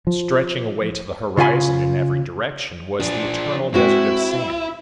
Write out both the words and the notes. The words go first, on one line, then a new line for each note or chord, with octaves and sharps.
Stretching away to the horizon in every direction was the eternal desert of sand.
F3
C#3 F4 C5 G#5 B5
F3 D4 G#4
G#3 C4 E4 F#4